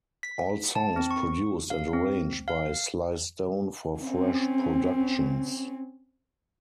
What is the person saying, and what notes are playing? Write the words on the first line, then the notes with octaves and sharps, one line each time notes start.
All songs produced and arranged by Sly Stone for Fresh Productions.
B6
A5
C4
C#6
F5
C4
F5
C4 C#4